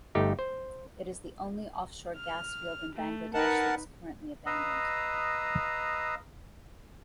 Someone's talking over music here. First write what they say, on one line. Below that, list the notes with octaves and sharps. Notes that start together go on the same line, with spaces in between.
It is the only offshore gas field in Bangladesh that is currently abandoned.
G1 A3 D#4 G4
C5
F6
A3
D#4 A#4 B4 F#5 A5
B4 D#5 F5 A#5 D#6 E6